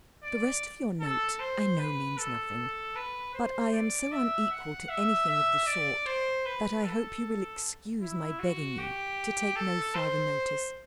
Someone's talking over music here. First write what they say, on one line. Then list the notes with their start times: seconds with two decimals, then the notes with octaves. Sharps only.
The rest of your note I know means nothing; but I am so unequal to anything of the sort, that I hope you will excuse my begging you to take no farther notice.
0.23 D5
1.01 A4
1.39 C5
1.78 B4
2.18 A4
2.96 B4
3.34 C5
3.72 D5
4.12 E5
4.51 F#5
4.89 E5
5.28 E5
5.67 D5
6.06 C5
6.46 B4
6.84 A4
8.01 E4
8.39 F#4
8.78 G4
9.56 A4
9.95 C5